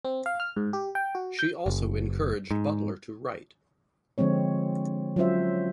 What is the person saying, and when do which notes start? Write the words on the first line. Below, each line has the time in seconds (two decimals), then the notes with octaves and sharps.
She also encouraged Butler to write.
0.05 C4
0.26 F5
0.40 F6
0.56 G#2
0.73 G4
0.95 G5
1.15 F#4
1.39 G6
1.66 F#1
2.51 G#2
4.18 D3 F3 G#3 C4 C#5
5.16 F#3 C#4 F4 C5 E5